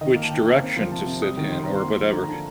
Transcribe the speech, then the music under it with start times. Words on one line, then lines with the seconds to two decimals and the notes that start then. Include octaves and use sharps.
which direction to sit in or whatever,
0.01 D#3 D#5
0.15 A#3
0.23 A5
0.31 D#3 G5
0.46 A#3
0.61 C4
0.77 F3
0.91 C3 A5
1.07 C3
1.22 G3 D#6
1.37 D#3
1.52 C3 C6
1.64 C4 A#5
1.76 C6
1.82 A#3
1.98 F3
2.13 D3 A#5
2.24 A#5
2.28 D3 A5